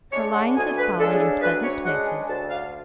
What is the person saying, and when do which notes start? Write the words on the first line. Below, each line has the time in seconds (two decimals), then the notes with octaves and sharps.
Her lines had fallen in pleasant places.
0.12 C#3 G#3 D4 C#5
0.34 F#5
0.56 D2 G#5
0.78 B4
0.99 C#3 G#3 D4 A4
1.15 G#4
1.20 A4
1.42 D2 B4
1.64 C#5
1.85 C#3 G#3 D4 F#5
2.07 G#5
2.28 D2 A5
2.50 F5